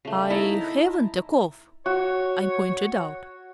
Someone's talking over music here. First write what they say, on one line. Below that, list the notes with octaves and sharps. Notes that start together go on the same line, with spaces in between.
"I haven't a cough," I pointed out.
C#3 A3
D#4 E4 A5 A#5
F#4 C#5